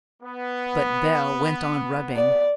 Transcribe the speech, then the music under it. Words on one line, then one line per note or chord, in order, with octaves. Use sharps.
But Bell went on rubbing.
B3
D5